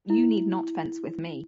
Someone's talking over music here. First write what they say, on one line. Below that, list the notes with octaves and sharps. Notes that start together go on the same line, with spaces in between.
You need not fence with me.
E4